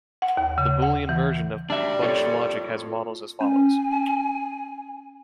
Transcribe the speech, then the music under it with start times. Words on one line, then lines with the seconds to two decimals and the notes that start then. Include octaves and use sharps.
The boolean version of bunched logic has models as follows.
0.22 F#5
0.37 D#2
0.58 C#3
0.82 F#5
1.09 E3
1.70 G3 D4 E5
2.03 F4 A4 C#5
3.41 C#4 G#5